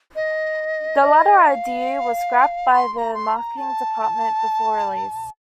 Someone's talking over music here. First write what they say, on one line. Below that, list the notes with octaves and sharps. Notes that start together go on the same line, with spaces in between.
The latter idea was scrapped by the marketing department before release.
D#5
D#5
F5
C6
C6
A#5
C6
A#5
A5